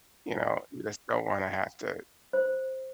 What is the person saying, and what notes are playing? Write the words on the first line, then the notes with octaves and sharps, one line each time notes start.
you know, you just don't wanna have to
C5